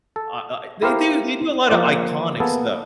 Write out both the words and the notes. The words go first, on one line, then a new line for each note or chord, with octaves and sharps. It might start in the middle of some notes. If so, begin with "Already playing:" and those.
ah i they do they do a lot of iconic stuff.
A4
E4 G4 A#4 C5 F5
F3 A#3 F4 C5 D5
A#3 B3 G#4 A4